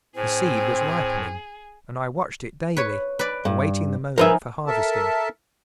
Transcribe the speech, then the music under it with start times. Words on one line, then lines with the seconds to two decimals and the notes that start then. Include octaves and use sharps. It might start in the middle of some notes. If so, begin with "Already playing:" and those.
The seed was ripening, and I watched it daily, awaiting the moment for harvesting.
0.16 A2 C4 G#4 C5
2.77 B4 C#5
3.19 B4 D5
3.45 G2
4.18 F3 D#4 G#4 A#4 B4 E5
4.67 A4 A#4 E5 A5